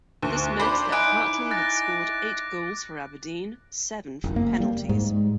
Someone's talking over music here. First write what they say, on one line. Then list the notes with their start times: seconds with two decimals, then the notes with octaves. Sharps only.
This meant that Hartley had scored eight goals for Aberdeen, seven from penalties.
0.23 D2
0.60 C5 D5 B5 D6
0.92 D#4 E4 G#5 F#6 D7
1.51 F#6 A6 A#6
4.24 F#1
4.36 A#3
4.60 G3
4.89 G#2